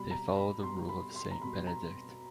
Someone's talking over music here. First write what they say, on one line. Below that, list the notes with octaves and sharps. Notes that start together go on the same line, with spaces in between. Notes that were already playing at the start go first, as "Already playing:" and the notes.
They follow the rule of Saint Benedict.
Already playing: B2 G3 B5
A#5
B5
B2 G3 C6
B5
C6
A#5
B2 G3 B5
A#5